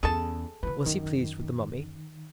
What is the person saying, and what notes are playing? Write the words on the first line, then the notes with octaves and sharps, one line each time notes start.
"Was he pleased with the mummy?"
E2 C#4 G#4 A4 A5
D3 E3 B4
F#2 D#3